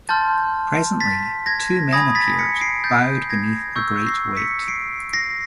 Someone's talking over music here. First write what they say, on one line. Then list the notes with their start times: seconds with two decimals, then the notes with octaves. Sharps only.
Presently two men appeared, bowed beneath a great weight.
0.09 A5 C6 F6 G6 A6
1.00 A6 B6
1.46 G#6 A#6
1.92 G#5 B5 D#6 G#6 A#6
2.15 A6 B6
2.38 B6 C#7
2.61 C7 D7
2.84 G6 A6
3.30 G#6 A#6
3.76 C#6 E6 G6
4.07 A#6 C7
4.37 B6 C#7
4.68 C7 D7
5.13 A#6 C7